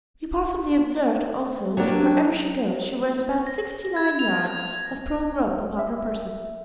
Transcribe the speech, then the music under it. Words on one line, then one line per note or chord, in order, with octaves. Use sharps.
"You possibly observed also that wherever she goes she wears about sixty-nine yards of pearl rope upon her person."
F#3 A#3 D4 F#4 G4
C#5 G5 A5
A#6
A#6
G#6
F7
G#6
E5